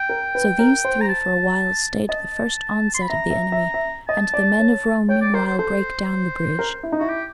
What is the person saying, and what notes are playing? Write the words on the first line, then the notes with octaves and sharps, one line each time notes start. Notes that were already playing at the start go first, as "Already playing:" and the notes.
So these three for a while stayed the first onset of the enemy; and the men of Rome meanwhile brake down the bridge.
Already playing: G5
A#4
B4
A#4
C5
A#5
A5
D#5 A5
C6
B5
E5 A#5
E5
E5
E5
D#5 A5
D5
C#5
C#5 G5
D5
A#4 C5
C5
A4 C5
A#4
E4
D#4
E4 F#4
G4